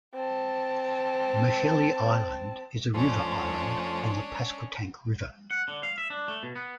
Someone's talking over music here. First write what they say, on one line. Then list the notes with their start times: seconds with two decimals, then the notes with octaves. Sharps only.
Machelhe Island is a river island on the Pasquotank River.
0.14 C4 A5
2.94 F2 A3 C#4 D4 C5
5.51 F#5
5.68 D3
5.83 F5
5.98 E5
6.10 D4
6.28 A3
6.43 B2
6.56 B3